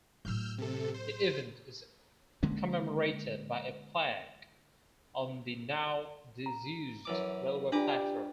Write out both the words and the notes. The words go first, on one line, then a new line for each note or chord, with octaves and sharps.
The event is commemorated by a plaque on the now disused railway platform.
A2 F#3 E6 F6 G6
C3 A4
C5
D3 G#3 A#3 C#4
A#5
F#2 E3 D6
D4 F4 G4 B4 D5 G5 A#5 D6